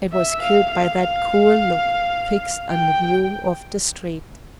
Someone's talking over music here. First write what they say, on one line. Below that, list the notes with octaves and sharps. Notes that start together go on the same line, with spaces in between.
It was killed by that cruel look, fixed on the view of the street.
E5
F5
F5
F5
G5